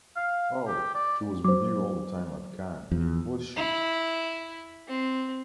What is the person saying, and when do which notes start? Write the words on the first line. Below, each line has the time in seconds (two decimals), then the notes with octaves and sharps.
Oh, she was with you all the time at Cannes, was she?
0.16 F5
0.68 G4
0.95 D5
1.45 F#3 C5 D6
2.91 E2 F3
3.56 E4
4.88 C4